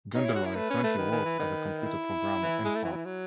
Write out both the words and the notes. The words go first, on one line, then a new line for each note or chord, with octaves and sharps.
Gunderloy currently works as a computer programmer and farmer.
D#4 C#5
E4
F#4
E4
A3 B4
C#4
A3
D#3
D#3
E3
D#3
E4
E3
G#3
A3
E3
F#3
E3
F#3